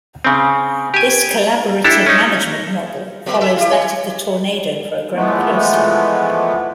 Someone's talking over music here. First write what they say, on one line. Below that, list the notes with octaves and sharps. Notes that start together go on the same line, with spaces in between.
This collaborative management model follows that of the Tornado programme closely.
C#3 C4
G4 G#5
D4 E4 G4 A4
C#4 D#4
F#3 A3 B3
A3 A4 E5
E4 G4
C#5
E3 F3 G#3 A3 B3